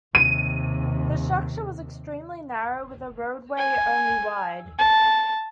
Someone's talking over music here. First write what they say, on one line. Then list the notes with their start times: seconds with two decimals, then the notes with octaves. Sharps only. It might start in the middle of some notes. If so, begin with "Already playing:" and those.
The structure was extremely narrow, with a roadway only wide.
0.15 D#2 C3 D#7
3.57 G#5
4.78 A5